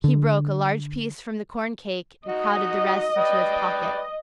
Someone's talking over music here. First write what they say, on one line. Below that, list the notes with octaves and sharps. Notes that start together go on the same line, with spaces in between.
He broke a large piece from the corn-cake and crowded the rest into his pocket.
D3
D#4 F#4 D#5
B4 D5 G5